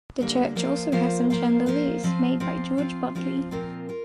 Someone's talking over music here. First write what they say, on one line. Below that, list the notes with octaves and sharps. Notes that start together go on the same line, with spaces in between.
The church also has some chandeliers made by George Bodley.
D2 D3 G3 A#3
F3 A#3 F4 C5 F5
F3 A#3 F4 C5 F5
F3 A#3 F4 C5 F5
F3 A#3 F4 C5 F5
F3 C4 F4 C5
F3 C4 F4 C5
F3 C4 F4 C5
F3 C4 F4 C5
A#2 F3 C4 F4 A#4
F4 A#4